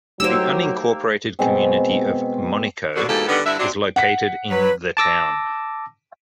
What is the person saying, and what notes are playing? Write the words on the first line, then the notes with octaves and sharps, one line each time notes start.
The unincorporated community of Monico is located in the town.
F#3 A3 A#3 D#4 G4 C5 E6
B2 G#3 C4
B2 D3
G#2 B2 E3 A#3 G4 A4
D3 D#3 G3 B3
G2 D3 E4 E5
C3 F#3 C4 D4
F#5 B6
F#3 B4
A5 D6 E6 A#6